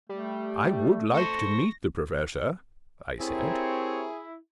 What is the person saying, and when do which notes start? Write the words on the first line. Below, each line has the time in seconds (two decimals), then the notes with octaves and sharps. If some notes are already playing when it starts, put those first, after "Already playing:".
"I would like to meet the Professor," I said.
0.09 G3 A3
1.14 A4 C5 C#6 A#6
3.20 C4 E4 G4 G#4 A#4 C#5